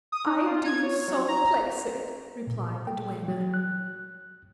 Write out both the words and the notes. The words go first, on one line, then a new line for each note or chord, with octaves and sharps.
"I do so place it," replied the duenna.
D#6
D#4
F4
G#6
C#5
F#3
A#5
A#2
G5
F#3
F#6